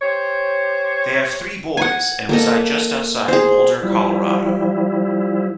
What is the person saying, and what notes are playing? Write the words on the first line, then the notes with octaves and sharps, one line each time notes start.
They have three boys and reside just outside Boulder, Colorado.
G4 C5 C#5
F#5 G#5
A#3 A4 D#5
G#4 C5
F3 G3 E4